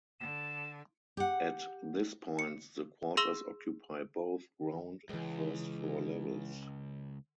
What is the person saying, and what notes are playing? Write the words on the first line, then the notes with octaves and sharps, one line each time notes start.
At this point the quarters occupy both ground and first floor levels.
D3 E7
G4 F#5
C#7
G#4 C6 E6 A#6 F7 G7
C#2 E3 G#3